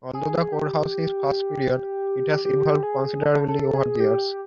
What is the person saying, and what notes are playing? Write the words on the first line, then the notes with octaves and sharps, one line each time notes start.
Although the core house is first period, it has evolved considerably over the years.
G#4
G4
G4
G#4
A4
A4
G#4
G4